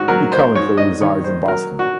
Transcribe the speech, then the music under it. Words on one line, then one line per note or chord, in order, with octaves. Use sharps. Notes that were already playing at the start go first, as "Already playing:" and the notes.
He currently resides in Boston.
Already playing: G#2 F#4
F#3 A#4
C5
G#2 C#5
D#5
D#3 C#5
C5
F#3 A#4
F#4